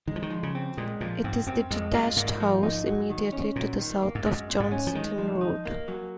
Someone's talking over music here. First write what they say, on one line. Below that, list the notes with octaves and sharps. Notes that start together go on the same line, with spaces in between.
It is the detached house immediately to the south of Johnstone Road.
D#3 G#3
F3
D#3
F3
C#3
C4
A#2 G#3
A#2 F3
G#2 C4
F#2 C4
F2 G#3
F#2 F4
G#2 A#3
F3
D#4
F#3
D#3
C#4
A#2 F#3
D#3
A#3
G#2
F#2 G#3
A#2
G#2
C#4
F3
D#3 G#3
F3
D#4
A#3
F#3